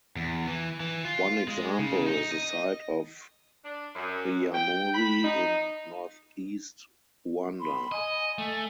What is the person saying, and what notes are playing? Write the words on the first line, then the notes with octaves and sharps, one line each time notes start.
One example is the site of Ryamuri in northeast Rwanda.
E2
E3
E3
F4
G#3
C#3
D#4
D#5
D4
F#2
G5
B5
D#4
B5 C6
D#5 G#5
A3